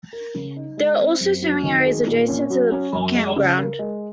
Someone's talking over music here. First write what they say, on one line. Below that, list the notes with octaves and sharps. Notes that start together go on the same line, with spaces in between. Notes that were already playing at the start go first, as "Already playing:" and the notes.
There are also swimming areas adjacent to the campground.
A#4
C#3
D#4
G#3
C4
F#2
F#3
D#3
G#4
A#2
C#4
F#3
C#4
F#2
G#3
C#3
A#4
G#3